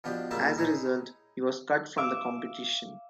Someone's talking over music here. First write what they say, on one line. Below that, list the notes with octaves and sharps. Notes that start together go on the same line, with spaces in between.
As a result he was cut from the competition.
B2 F3 D4 G4
C#2 G3 A#3 D5 E5 A5
D#4 E4 G#4 C#5
E5 F5 D6 E6